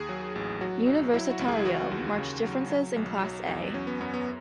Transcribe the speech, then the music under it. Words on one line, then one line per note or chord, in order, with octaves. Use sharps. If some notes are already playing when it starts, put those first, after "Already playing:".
Universitario, marked differences in class A.
Already playing: D#2 G#4
F#3
A1
F#3 F#4
B1
F#3 E4
F#4
C#2
G#4
E4
E3 F#4
D#2
C#3
F#3
F#3
B1
F#3
E2
F#3 C#4
B3
F#2 B3
B3